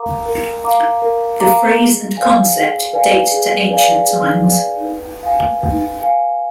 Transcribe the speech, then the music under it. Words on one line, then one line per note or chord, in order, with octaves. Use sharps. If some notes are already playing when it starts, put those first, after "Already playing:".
The phrase and concept date to ancient times.
Already playing: A#4 F5 A#5 D6
A#4
F5 A#5 D6
A#4
F5 A#5 D6
G#4
B4 D5 F5 G#5
G#4
B4 D5 F5 G#5
G#4
B4 D5 F5 G#5
G#4
B4 D5 F5 G#5
B4
F5 G#5
B4
F5 G#5